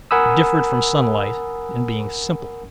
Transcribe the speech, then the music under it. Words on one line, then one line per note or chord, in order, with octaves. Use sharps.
It differed from sunlight in being simple.
A#4 F#5 G#5 B5 D#6 E6